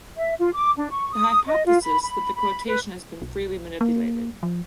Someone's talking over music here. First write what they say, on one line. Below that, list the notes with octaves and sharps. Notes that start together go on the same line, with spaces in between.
The hypothesis that the quotation has been freely manipulated.
E5
F4
D6
D4
C#6
D#6
D#5
F4
B5
B5
B5
B4
B1
A#3
F3